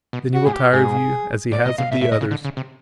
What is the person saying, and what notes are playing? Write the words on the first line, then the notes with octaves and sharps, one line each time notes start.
Then he will tire of you as he has of the others.
B2
F#4
A2 G#4
G4
G#2 G#4
A2 D5
A#2 D#5
B2 F5
A#2 E5
A2 E5
A2 D#5
C#3
D3
C#3
C3